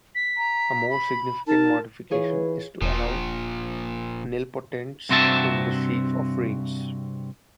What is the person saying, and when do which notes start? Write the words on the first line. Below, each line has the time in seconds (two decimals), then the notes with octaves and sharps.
A more significant modification is to allow nilpotents in the sheaf of rings.
0.15 B6
0.37 A#5
0.90 B5
1.47 D#4 A#4 A5
2.11 E3 F4 G#4 B4 C#5
2.82 E1 A#2 F3
5.09 G2 C3 C4 F#4 E5 A5